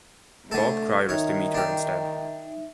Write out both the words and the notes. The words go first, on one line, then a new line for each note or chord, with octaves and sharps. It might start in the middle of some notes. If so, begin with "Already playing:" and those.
Bob Cryer is to meet her instead.
D3 A3 A4
D#3 D#4 C#5 E5
D4 G4